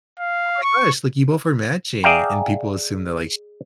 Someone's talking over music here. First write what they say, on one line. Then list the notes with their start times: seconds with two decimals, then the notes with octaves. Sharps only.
"Oh my gosh, like, you both are matching." And people assume that, like, she
0.20 F5
0.63 C#6
2.03 G#4 D5 E5 F5 G5 A#5